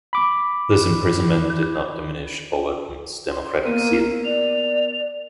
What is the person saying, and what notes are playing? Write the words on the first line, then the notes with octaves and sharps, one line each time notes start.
This imprisonment did not diminish Overton's democratic zeal.
B5 D6
C6
A#3 B3 A#4 D#7
D5 F7